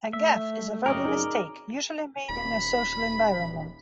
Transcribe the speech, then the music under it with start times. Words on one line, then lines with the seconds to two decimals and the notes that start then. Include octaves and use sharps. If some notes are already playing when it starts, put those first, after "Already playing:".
A gaffe is a verbal mistake, usually made in a social environment.
0.13 A3 E5
0.86 F#2 C#3 C4 A#4 D5 D#5
1.05 D#4 G#4 A#5
2.29 D#1 B5